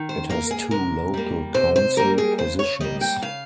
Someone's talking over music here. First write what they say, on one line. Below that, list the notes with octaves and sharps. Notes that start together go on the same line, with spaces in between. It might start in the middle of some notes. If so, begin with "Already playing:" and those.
It has two local council positions.
Already playing: D#3
C5
A#3 A#4
G#4
C3 A#4
G3 A#3
C3 C5
C5
G3 A#3 A#4
G#4
C#3 C5
C#5
G3 A#3 D#5
G5
C#3 F5